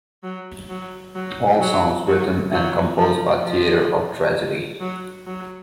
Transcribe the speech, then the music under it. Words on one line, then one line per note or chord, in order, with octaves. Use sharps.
All songs written and composed by Theatre of Tragedy.
F#3
F#3
F#3
F#3
F#3
F#3
F3
F3
F#3
F#3